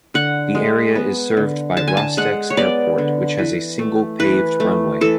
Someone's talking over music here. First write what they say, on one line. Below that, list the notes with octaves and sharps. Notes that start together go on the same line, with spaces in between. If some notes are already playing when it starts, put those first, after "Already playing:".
The area is served by Rostex Airport, which has a single paved runway.
D3 F#5
G#3
B3
D3
D3 A5
G#5
A5
G#3 F#5
C#5
B3 D5
D3
E3
A3
E3 B4
A3
E3 A4